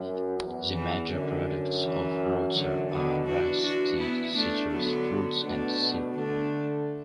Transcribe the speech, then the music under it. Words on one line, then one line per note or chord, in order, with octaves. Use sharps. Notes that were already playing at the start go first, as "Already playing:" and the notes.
The major products of Roudsar are rice, tea, citrus fruits, and silk.
Already playing: F#2
E2
E3
F#2 D3
E3
F#2 D3 F#3
B2 D3 F#3
E3 D4 F#4
D4 F#4
B3 E4
A3 D4
D3 F#3 B3
B2 A3 D4
B2
D3 A3 D4